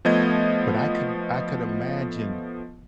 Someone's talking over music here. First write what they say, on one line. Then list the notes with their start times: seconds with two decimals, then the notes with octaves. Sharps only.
but I can I could imagine
0.05 F3 A3 B3 D#5 G#6